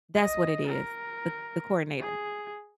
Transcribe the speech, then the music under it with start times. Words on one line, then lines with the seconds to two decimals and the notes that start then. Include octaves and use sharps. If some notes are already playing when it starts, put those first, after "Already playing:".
That’s what it is, the the coordinator.
0.15 D#5
0.67 A#4
2.00 G#4